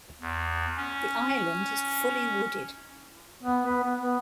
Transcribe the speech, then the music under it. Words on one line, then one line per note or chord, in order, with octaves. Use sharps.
The island is fully wooded.
E2
C#4
B3
B4
B3
B3